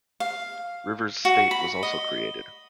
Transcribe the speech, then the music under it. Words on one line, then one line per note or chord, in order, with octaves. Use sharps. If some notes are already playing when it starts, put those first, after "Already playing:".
Rivers State was also created.
F5
F#4
B5
D#5